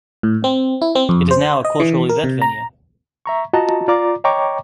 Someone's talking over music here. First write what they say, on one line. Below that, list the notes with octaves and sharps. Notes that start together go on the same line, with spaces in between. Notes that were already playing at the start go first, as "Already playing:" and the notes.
It is now a cultural event venue.
A2
C4
E4
C4
F2
C5
D#5
E3
A#4
C3
A#5
E5 A#5 C#6
F4 F#4 D#5 A5 A#5
F4 D5 A#5 D6
C#5 D#5 G5 A#5 C#6 D6